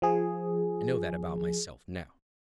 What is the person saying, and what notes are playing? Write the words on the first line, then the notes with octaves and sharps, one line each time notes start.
I know that about myself now.
F3 G#4